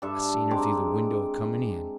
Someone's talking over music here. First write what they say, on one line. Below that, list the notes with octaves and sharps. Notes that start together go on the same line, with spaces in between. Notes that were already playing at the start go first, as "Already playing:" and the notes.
I seen her through the window a-comin' in.
G2 D4 A4 E5
G#3 C4 A#5 D6